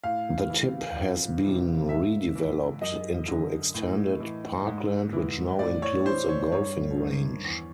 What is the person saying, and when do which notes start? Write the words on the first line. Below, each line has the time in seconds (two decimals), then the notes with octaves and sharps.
The tip has been redeveloped into extended parkland which now includes a golfing range.
0.04 A2 F5
0.50 E3
0.96 F2
1.43 C3 E3
1.89 G#2 E5
2.35 E3
2.81 F#2 D#5
3.28 D3
3.74 A2
4.20 E3
4.67 G#2
5.13 E3
5.59 A2 D5
5.82 C#5
6.06 E3 C5
6.29 C#5
6.52 G2 C#5
6.98 D#3
7.45 E2